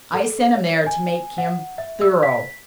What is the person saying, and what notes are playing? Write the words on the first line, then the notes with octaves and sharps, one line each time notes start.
I sent him there to make him THOROUGH.
A4
C#5
G#5
F#5
E5
E6
B6